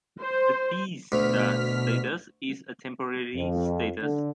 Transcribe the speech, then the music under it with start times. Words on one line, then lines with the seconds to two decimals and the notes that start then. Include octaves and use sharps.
The Be star status is a temporary status.
0.21 C5
1.12 D2 B2 F6 B6
3.35 F2
4.01 D3